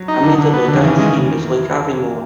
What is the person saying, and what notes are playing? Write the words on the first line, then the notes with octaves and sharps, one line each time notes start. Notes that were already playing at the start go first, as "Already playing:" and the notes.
Immediately downstream is Lake Aviemore.
Already playing: F#3
D#4
D3
D3
B3
D3
D#3
C#3 E3
G#3